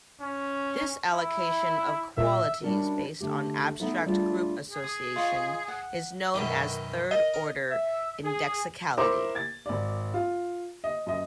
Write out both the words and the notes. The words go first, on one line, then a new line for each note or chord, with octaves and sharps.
This allocation of qualities based on abstract group association is known as third-order indexicality.
C#4
E4
A#2 E5
G3 C#4 D4 E4 F#4 A#4
D3 A3 G4
A3 B3 D#4 E4 A4 E5
G3 A3 D4 F4 G#4
G#4
D#6
F4 D#5 C#6
F#5
F#2 B2 D#3
A#4 D#5
A#4
E5
G#4
E4 A#4 C5 A#5 D6
G#6 A6
G#1 D5
F4
D#5
F#2 D#5